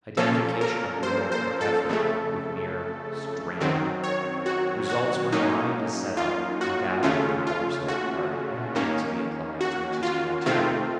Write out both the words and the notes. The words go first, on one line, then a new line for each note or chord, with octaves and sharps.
Identification of will, or effort, with mere strain, results when a mind is set up, endowed with powers that are only to be applied to existing material.
A#2 F3 A#3 C#4 A4
A#4
C5
C5
A4
F2 C#3 A3
F#2 D#3 F#3 C4
C#5
F#4
F#4
A2 F#3 A#3 C#4 D#4
F4
F#4
D#2 C#3 A3 C#4 F4
F4
F#4
D#2 D#3 A#3 C#4
F#4
F4
C3 D#3 A3 C4 F4